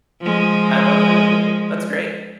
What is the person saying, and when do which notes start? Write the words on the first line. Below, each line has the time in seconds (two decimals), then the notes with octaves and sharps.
I love that idea. That's great.
0.21 F3 G#3